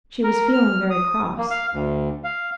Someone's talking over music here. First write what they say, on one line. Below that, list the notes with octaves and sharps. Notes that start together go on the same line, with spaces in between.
She was feeling very cross.
A#4
F6
D#6
A#3
F5
D2
F5